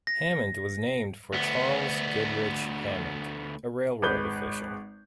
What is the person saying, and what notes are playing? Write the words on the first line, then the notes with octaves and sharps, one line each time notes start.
Hammond was named for Charles Goodrich Hammond, a railroad official.
A#6
D2 B3
G#1 G#3 B4 G6 G7